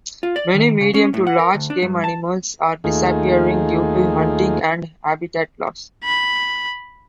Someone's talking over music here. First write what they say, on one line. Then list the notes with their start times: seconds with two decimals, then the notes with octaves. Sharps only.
Many medium to large game animals are disappearing due to hunting and habitat loss.
0.23 F4
0.36 D5
0.54 D#3
0.81 C#3
0.94 C#4
1.14 A2
1.27 F#5
1.39 A#4
1.54 D2
1.70 D4
1.82 G2
2.04 A5
2.84 D#2 A3 D#4 F4 G#4
6.04 B5